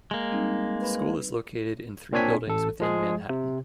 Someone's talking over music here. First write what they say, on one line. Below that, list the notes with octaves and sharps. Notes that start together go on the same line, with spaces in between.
The school is located in three buildings within Manhattan.
G#3 A#3
G3 C4 D#4
B4 B5
A#2 C4 D4 C#5 G#5 B6
A1 A4
F3 G#3 G#4
C3